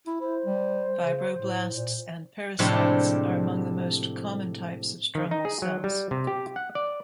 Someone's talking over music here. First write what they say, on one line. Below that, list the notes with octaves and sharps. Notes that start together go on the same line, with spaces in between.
Fibroblasts and pericytes are among the most common types of stromal cells.
E4
E4 C5
G3
C#3
A2
A#2
A2 C3 F3 G3 G#3 D4
D#3
D#4
G#4
F#3
G3
C3
G4
F#5
D5